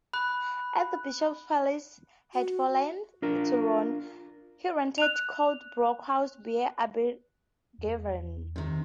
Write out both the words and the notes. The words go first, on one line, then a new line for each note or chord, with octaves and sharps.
As the bishop's palace had fallen to ruin, he rented Coldbrook House bear Abergavenny.
B5 F#6
F#4
D4 F4 A#4
F#6 F7
E2
C3 D#3